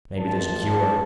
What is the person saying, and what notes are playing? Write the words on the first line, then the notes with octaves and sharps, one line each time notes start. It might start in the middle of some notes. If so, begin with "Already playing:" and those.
Maybe there's a cure.
G#1 F3 A5